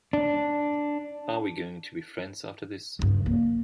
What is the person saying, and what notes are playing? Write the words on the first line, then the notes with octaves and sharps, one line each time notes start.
Are we going to be friends after this?
D4
C#2 G2
A#3